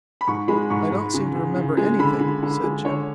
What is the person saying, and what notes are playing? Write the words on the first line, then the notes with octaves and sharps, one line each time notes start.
"I don't seem to remember anything," said Jim.
B5
G#2 C#6
G#3 B5
G#2 C#6
G#2
C#3
C#3
C#3
G#3
D3 B5
D3
D3
G#3
D3 C#5